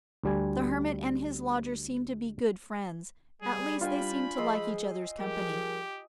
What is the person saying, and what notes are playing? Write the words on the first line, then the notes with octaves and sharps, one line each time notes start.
The Hermit and his lodger seem to be good friends, at least they seem to like each other's company.
D2 G3 G#5
G3 G#4
D4 F4 G5 G#5 B5
F3 G#3 G#4 D#5 C6 E6
F3 G3 G4 G#4 A#4